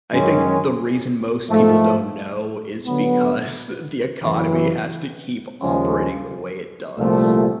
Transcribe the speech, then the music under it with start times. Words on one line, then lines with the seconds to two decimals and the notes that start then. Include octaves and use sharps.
I think the reason most people don't know is because the economy has to keep operating the way it does,
0.11 F#2 D#3 G#3 C#4
1.49 G#2 F3 A3
2.85 D3 F#3 B3
4.23 F#2 C#3 E3
5.60 D#2 C#3 F3 G#3 C#4
6.98 C2 A#2 F3 A3